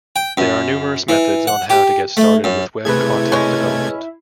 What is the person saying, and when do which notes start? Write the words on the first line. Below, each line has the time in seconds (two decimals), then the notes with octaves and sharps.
There are numerous methods on how to get started with web content development.
0.16 G5
0.37 F#2
1.09 E3
1.47 F#5
1.70 G4
2.17 A3
2.44 F#2
2.85 C3 A3 E4 G#4 B4 G#6
3.32 G#3 C#4